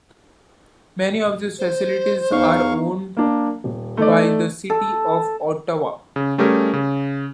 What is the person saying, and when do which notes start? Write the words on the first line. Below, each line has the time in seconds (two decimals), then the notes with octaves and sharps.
Many of these facilities are owned by the City of Ottawa.
1.59 C5
2.32 E2 B3 D#4 F5 C#6
3.17 A#3 D4
3.64 D#1
3.97 A3 D#4 D5
4.70 A4
6.16 C#3
6.38 G3 A3 C#4 G4 G#4 A#4
6.73 C#3